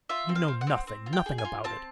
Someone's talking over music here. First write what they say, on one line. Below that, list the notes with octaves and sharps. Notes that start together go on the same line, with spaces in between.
You know nothing, nothing about it....
F4 E5
C4
F5
C4
F#5
C4
C4
F4
G5
G#4
G#5
F4
C4 A5